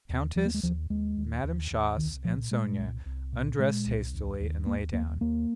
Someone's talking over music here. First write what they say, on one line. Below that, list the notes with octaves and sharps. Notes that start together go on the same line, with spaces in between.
The countess, Madame Schoss, and Sonya undressed hastily and lay down.
D#2
D#2 F3
A#3
G#3
D#2 F3
D#2 G#3
D#2
D#2
D#2
C2 D#3
A#2 F3
A#2 G#3
C2
C2
A#2
A#2 G#3
C2
D#2
D#2
D#2 A#3
D#2 A#3
D#2 A#3